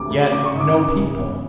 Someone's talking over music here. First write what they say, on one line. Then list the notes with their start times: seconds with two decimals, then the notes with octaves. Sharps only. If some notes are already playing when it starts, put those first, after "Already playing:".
Yet no people.
Already playing: D2 C3 E3 D6
0.10 D2
0.32 C#3 D6
0.45 C#6
0.53 G#1 D#6
0.60 D6
0.74 E3 D6
0.95 C#3
1.16 G1